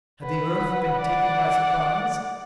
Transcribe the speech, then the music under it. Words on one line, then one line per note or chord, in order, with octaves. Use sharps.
Had the Earth been taken by surprise?
B4 F#5
D5 F#5